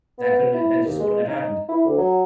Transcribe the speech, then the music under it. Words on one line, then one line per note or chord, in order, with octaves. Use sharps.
that couldn't, uh that just wouldn't have happened,
B3
E4
D#2
G#3
D#4
E4
D2
F#3